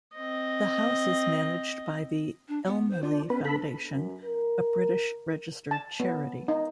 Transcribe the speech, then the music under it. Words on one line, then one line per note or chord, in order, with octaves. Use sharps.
The house is managed by the Elmley Foundation, a British registered charity.
C4 D#5
D4
B3
C5
D4 F4
B3 C#4 B4
D4 A4 B5
F#2
A#4
A5
B3
D#4